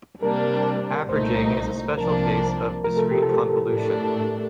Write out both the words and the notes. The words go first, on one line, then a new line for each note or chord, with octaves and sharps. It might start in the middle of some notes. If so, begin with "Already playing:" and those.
Averaging is a special case of discrete convolution.
C3 G3 A#3 D4 A#4
C2 A#2 A3 D#4 C5
C2 C3 F3 A#3 D4 A#4
C3 F3 A3 A#4
A4
G4
A4
A2 A3 D4